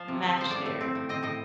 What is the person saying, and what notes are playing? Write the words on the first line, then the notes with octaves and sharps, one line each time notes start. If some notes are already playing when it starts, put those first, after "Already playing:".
match there.
Already playing: F3 C5
C3
C4
F3 C5
A2 D5
A3
C4
A2
C4 D#5
A2 D#5